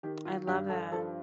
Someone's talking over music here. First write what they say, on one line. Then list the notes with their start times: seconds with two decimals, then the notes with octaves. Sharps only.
I love that.
0.03 D#3 G4
0.25 F4
0.47 G2 G4
0.69 A4
0.91 F3 A4